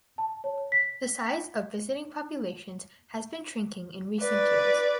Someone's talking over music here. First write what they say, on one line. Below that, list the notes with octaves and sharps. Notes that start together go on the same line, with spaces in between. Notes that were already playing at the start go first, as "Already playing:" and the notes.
The size of visiting populations has been shrinking in recent years.
A5
C#5
B6
B4 D5